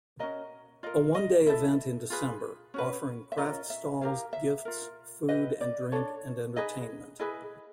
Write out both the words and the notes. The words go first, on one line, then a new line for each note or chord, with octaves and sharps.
A one-day event in December, offering craft stalls, gifts, food and drink and entertainment.
C#4 F#4 A#4 D#5
F4 A#4 D#5
D#5
E4 A4 E5
F4 G#4 B4
C#4 F#4 B4
E5
C#4 F4 A#4 D#5
E5
E4 G4 A#4 F5
E5
F4 A#4
E4 G4 B4 D#5
D5
D4 F#4 A4 C#5
D#4 G#4 B4 D#5
E4 G#4 B4 D#5